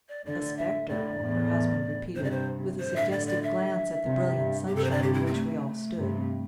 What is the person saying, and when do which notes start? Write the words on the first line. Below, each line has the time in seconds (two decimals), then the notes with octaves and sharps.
"A specter," her husband repeated with a suggestive glance at the brilliant sunshine in which we all stood.
0.09 D5
0.25 A2 D3 D5
0.58 E5
0.89 A2 D3 D5
1.21 E2 A2
2.16 G2 C3 C5
2.24 D5
2.31 C5
2.79 A2 D3 C5
2.96 E5
3.11 D5
3.27 D5
3.43 E5
4.06 G2 C3
4.38 G2
4.67 G4
4.70 G2 C3
4.76 A4
4.84 C5
4.91 D5
5.03 G4
5.13 E4
5.26 C4
5.34 A3
5.98 G2 C3